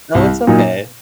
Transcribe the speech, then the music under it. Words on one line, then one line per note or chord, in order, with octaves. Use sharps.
no, it's okay.
C2
A#2 F#3 A#3 D#4